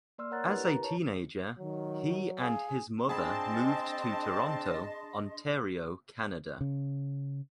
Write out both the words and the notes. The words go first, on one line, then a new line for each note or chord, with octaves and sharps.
As a teenager, he and his mother moved to Toronto, Ontario, Canada.
A#3 D5 C6 E6 F6
A#4 C#5 F#5 A#5 F#6 A6
D4 E4 G4 A#4 B4
A#5
C#5 A5
D#3 F#3
G#4 F5
C4 D4 G#4 D#5 A5 B5 C6
C#3